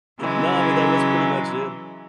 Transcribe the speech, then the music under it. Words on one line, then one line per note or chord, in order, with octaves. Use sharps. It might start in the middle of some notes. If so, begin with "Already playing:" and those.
no, I mean, that was pretty much it.
C#3 E3 F#3 G#3